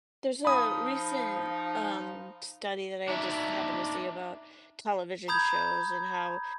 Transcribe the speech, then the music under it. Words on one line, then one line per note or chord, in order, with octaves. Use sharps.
There's a recent, um, study that I just happened to see about television shows and how,
F3 D#4 B5 D#6
D4 D#4 E5
A#5 B5 D#6 G6 G#6